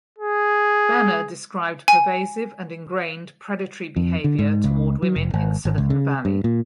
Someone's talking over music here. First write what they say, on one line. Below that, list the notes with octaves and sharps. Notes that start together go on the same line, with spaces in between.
Benner described pervasive and ingrained predatory behavior toward women in Silicon Valley.
G#4
G#5
F2
D3
G#2
C#2
F#3
F1
G#1
G#1
C#2
C#3
G2
A#2